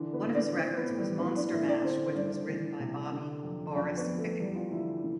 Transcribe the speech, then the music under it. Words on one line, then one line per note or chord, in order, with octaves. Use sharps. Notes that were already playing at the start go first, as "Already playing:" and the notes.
One of his records was "Monster Mash", which was written by Bobby "Boris" Pickett.
Already playing: D3 E3 D4
B3 B4
A2
D4 D5
E3 C4 C5
B3 B4
A2
G3 G4
E3 B3 B4
D4 D5
A2 E4 E5
D4 D5
D3 C4 C5
C5
G2 D4 D5
E3
C3
D3
F2
F2 D4 D5
B3 B4
F2
A3 A4
E2 G3 G4
F3 F4
D3 E3 E4
E3